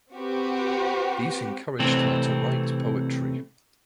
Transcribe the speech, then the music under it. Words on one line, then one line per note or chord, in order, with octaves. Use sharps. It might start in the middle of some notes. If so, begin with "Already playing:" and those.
These encouraged her to write poetry.
C4 F#4 G4 B4
C3 E3 A3 C4